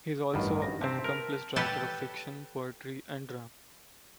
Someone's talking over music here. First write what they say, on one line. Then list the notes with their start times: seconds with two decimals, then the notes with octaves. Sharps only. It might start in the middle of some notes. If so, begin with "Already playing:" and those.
He is also an accomplished writer of fiction, poetry, and drama.
0.34 A1 G2 D#3 C#4 F#5 B5
0.62 A#6
0.81 C3 C4 A5 B6
1.04 A#4
1.56 G4 A4 B4 C#5 F#5 A5